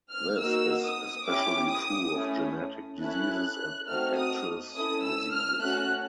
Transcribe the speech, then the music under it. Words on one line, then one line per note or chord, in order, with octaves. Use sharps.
This is especially true of genetic diseases and infectious diseases.
F6
A#3 D#4 F#4 E6
D#6
C#4 E4 G4 D6
D#6
A3 C#4 E4
C#4 E4 A4 F#6
A3 C4 D#4 F#4 A4 F6
D#6
C#4 E4 A4 D#6
E6
F6
A3 C#4 F#4 F#6